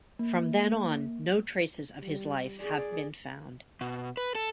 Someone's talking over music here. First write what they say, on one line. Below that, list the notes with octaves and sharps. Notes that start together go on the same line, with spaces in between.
From then on no traces of his life have been found.
A#3
G3
G#4 D5
B2
B4
A4